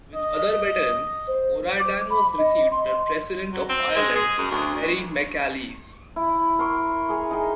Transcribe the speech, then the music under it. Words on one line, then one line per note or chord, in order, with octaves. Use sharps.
With other veterans O'Riordan was received by President of Ireland Mary McAleese.
D#5
C5
D6
B5
D#5
C6
F#3
C4
G#3
G#4
F#2
D2
E4
A#4 C6 C#6
G#4 A#4 G#5
D#4 G#4 G5